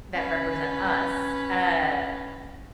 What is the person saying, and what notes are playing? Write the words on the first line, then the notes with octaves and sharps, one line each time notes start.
that represent us. Uh,
C#4 B4